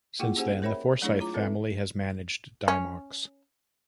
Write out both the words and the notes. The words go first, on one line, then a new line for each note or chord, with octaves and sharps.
Since then, the Forsyth family has managed Dymocks.
A#3 E4 F4 G#4 F#5 G5
C#4 G4 G#4 C5 F#5 G#5
A#4 C5 C#5 E5 G5 B5
F#3 A3 D4 E4 G#4 C#5
F4 A#5 D6
C4 A4 B4 E5
C#4